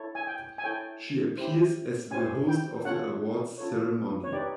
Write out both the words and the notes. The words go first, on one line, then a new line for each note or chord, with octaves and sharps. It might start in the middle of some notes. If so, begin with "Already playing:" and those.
She appears as the host of the awards ceremony.
Already playing: E4 A4 C#5
G#5
G5
G#5
E4 A4 C#5 G5
C#4 E4 G4 C5
C#4 E4 G4 C5 G#5
G5
C#4 F4 A4 C#5 F#5
C#4 F4 A4 C#5
C#5
D#4 G4 B4 D5